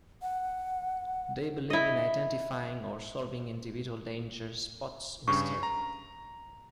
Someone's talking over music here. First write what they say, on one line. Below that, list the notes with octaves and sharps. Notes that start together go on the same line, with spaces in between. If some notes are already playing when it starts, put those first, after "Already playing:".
They believe in identifying or solving individual danger spots instead.
F#5
E4 D#5
G2 C#3 C#6
A#5